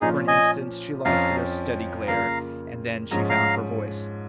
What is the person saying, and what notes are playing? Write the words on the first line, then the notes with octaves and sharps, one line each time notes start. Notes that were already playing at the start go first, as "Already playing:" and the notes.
For an instant she lost their steady glare and then she found her voice.
A#2 F3 C#4 D#4 F4 G#4
D#5 G#5
F2 F3 C#4 F4 F5 A#5
C#3 A#3 F4 F5 A#5
G#2 F3 C#4 A#5
F5 A#5